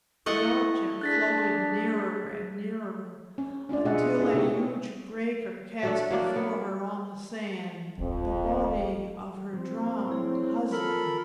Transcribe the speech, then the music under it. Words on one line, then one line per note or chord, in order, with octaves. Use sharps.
The object floated nearer and nearer, until a huge breaker cast before her on the sand the body of her drowned husband.
A3 E4 D#5 F#5
D4 G#4 F#6 A6 B6
C#4
C#4 D4 F4 D5
B2 F4 G#4 D#5 E5 F#5
C#4 E4 G#4 A4
C3 B3 D#4 G4 C#5
F#3 A3 D4
F#3 A#3 D4 D5
B3
D1 G#1 F2
F3 C4
A3 E4 G#4 C#5
F4 A4 A#4 B5